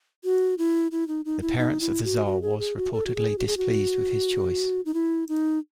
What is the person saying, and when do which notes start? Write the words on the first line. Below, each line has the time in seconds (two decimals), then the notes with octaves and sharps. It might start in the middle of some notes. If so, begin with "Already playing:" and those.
The parent's of the tsar was reportedly displeased with his choice.
0.24 F#4
0.58 E4
0.92 E4
1.08 D#4
1.25 D#4
1.41 E4
1.58 D#4
1.81 E4
2.04 F#4
2.26 F#4
2.42 G#4
2.59 G#4
2.77 F#4
2.93 A4
3.06 F#4
3.16 G#4
3.38 F#4
3.47 G#4
3.57 F#4
4.86 D#4
4.94 E4
5.29 D#4